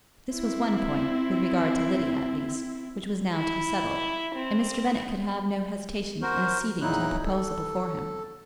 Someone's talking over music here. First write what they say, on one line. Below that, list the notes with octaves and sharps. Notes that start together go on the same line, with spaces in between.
This was one point, with regard to Lydia, at least, which was now to be settled, and Mr. Bennet could have no hesitation in acceding to the proposal before him.
C4 E4
E4
C4
F#4 A#4 C5
E2 A#2 F#3 D#4 E4 F#6
A4